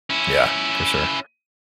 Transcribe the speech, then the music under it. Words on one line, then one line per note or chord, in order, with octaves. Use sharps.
Yeah. For sure.
C#4 E4